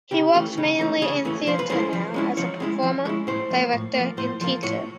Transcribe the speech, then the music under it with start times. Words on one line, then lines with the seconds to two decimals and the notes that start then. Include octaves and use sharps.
He works mainly in theatre now as a performer, director and teacher.
0.11 C#3 G4
0.34 E3 A3 C#4
0.57 C#3
0.79 E3 A3 C#4
1.02 C#3 G#4
1.25 E3 A3 C#4
1.47 F3 C5
1.59 B4
1.69 G#3 C#4 E4 C5
1.93 F3
2.14 G#3 C#4 E4
2.37 F3 C#5
2.60 G#3 C#4 E4
2.83 F3
3.05 G#3 C#4 E4
3.27 A2 C5
3.50 F3 A#3
3.73 A2
3.95 F3 A#3
4.17 A2 C5
4.41 F3 A#3
4.63 A2 C#5